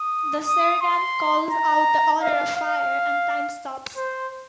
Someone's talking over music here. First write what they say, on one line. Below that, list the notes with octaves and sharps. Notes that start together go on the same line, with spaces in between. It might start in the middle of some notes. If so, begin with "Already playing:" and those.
The sergeant calls out the order to fire, and time stops.
Already playing: D#6
D#6
C6
A#5
F5
F5
C5